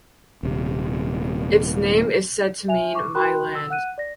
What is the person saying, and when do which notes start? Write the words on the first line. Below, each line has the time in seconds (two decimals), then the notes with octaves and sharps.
Its name is said to mean my land.
0.43 D#1 C3
2.68 E5 G#5 F7
2.95 C#6 D6
3.15 F#4 A#4 G5 B5 C6 F#6
3.55 E6
3.70 F#5 F#6 D#7
3.98 D5 A#6